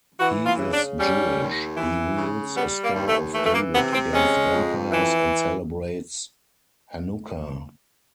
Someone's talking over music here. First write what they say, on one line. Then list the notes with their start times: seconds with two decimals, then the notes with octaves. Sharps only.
He is Jewish, he wields a Star of David against vampires and celebrates Hanukkah.
0.20 E3 F#4
0.46 F4
0.59 C#3
0.72 D4
0.98 G3 C#4
1.38 D#2
1.77 E3
2.17 C#3
2.56 G3 B3
2.82 A#3
2.95 D#2
3.08 A3
3.34 E3 A3
3.46 A3
3.54 A#3
3.74 C3 B3
3.93 C4
4.13 G#3 C#4
4.52 F2
4.92 E3